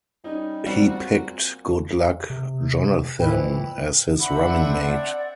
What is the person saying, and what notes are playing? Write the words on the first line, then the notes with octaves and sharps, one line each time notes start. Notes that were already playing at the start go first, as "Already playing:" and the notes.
He picked Goodluck Jonathan as his running mate.
G3 C#4 D#4
A#2 G3 C4 F#4
C3
F2 A2 E3 E4 G5
C4 D4 E5 F#5 B5
D5